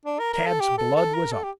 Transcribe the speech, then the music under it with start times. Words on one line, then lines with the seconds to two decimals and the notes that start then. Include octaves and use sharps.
Tad's blood was up.
0.05 D4
0.19 A#4
0.33 A#4
0.46 A4
0.60 G4
0.78 A4
0.96 A4
1.14 A#4
1.32 A4
1.44 G4